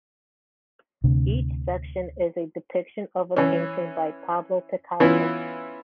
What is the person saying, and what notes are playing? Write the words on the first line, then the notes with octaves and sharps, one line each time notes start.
Each section is a depiction of a painting by Pablo Picasso.
D2 C3 D4
E3 C#4
E3 B3 C#4 E4 F4